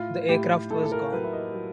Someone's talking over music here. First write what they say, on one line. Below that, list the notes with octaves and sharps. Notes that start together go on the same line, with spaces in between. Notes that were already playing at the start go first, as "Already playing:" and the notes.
The aircraft was gone.
Already playing: A2 F4
A2 G4
A2 A4
A4
A#4
F#3 B4
E5
D#5
F#3